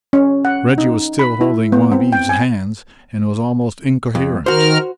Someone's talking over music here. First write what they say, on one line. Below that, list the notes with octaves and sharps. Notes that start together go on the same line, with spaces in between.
Reggie was still holding one of Eve's hands and was almost incoherent.
C#4
F#5
D#4
B5
E4
B3
C4
G5
G#5
F2
D#3 F#4 A#4 C5 F6